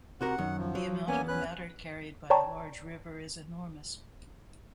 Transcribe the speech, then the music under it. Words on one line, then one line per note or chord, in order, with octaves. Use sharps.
The amount of matter carried by a large river is enormous.
C3 F#4 A#4 F#5
F#2 D#3
F3
F#3
E2 A#3 B3 C#4 G#5
C#4 B4 F#6
C#5 D5 G5 A5 A#5 C#6